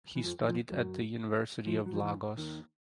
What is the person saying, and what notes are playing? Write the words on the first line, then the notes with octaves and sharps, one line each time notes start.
He studied at the University of Lagos.
E3
F2 F3
E3
F2 F3
F#2 F#3
F2 F3
F#3
F3
E2 E3
D#2 D#3